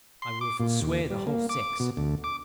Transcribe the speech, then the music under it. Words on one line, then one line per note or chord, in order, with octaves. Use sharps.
I will forswear the whole sex.
C6
D6
A#2
D#2
G3
A#3
D6
B2
D2
D6